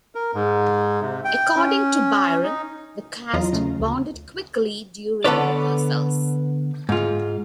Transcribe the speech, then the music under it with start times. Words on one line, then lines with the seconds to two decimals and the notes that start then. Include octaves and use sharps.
According to Byrne, the cast bonded quickly during rehearsals.
0.15 A#4
0.35 G#2
1.01 C3
1.25 G5
1.56 C#4
2.44 D#4
3.33 E2 F#3 F4 D#5 A#5 C6
3.53 C#3 A3
3.80 D2
5.24 D3 B3 A4 B4 C#5 D5
6.89 G#2 F4